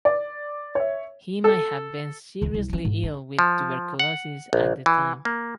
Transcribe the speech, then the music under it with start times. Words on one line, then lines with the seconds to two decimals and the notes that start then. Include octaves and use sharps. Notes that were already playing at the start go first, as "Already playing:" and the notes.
He may have been seriously ill with tuberculosis at the time.
0.05 D5
0.75 C#5 E5
1.44 A4
2.42 C#2 D#3
2.54 C2
2.69 F3 C#4
2.85 G#2
3.04 D4
3.39 F3
4.00 F#5
4.53 A#1
4.86 E3
5.25 A#3